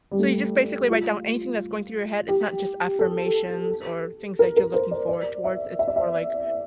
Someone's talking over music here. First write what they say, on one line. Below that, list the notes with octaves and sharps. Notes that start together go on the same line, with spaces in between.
So you just basically write down anything that's going through your head. It's not just affirmations or things that you're looking forward towards. It's more like,
G3
A3
F4
G4
A4
A#4
A#4
C5
D5
D5
E5
E5
D5
E5